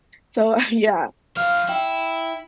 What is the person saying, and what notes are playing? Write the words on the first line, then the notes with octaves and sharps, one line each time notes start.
So, uh, yeah,
F#3 F5 F6
E4 G5